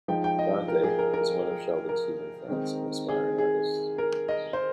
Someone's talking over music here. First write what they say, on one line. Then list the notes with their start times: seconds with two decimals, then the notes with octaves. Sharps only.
Dante: is one of Sheldon's human friends, an aspiring artist.
0.08 F3 G#3 D#4 G5
0.24 G5
0.39 D#5
0.68 A#4
0.83 G#4
0.99 A#4
1.14 A#4
1.89 A#4
2.49 D#3 G#3 C4 D#4
3.09 G#4
3.38 G#4
3.98 A#4
4.29 D#5
4.53 C5